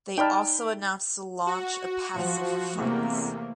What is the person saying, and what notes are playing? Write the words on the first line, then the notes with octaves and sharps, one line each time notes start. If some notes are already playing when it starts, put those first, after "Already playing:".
They also announced the launch of Passive Funds.
D#4 D5 G5 A5 B5 F6
F#4
F3
E2 C3 A3 A#3